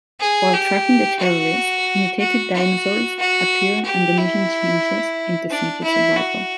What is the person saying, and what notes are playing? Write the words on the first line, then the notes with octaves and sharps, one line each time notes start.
While tracking the terrorists, mutated dinosaurs appear and the mission changes into simple survival.
G#4
G4
F#4
F#4
F#4
F#4
G4
E4
D4
E4
F#4